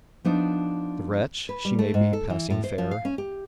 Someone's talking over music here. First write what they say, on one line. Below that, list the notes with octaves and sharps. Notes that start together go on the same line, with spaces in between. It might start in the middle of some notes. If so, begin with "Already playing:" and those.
The wretch, she may be passing fair.
F3 B3 D4 D#4
B4
G3
A3
G#2
A4
E3
A2
C5
F3
F5
C#4
G4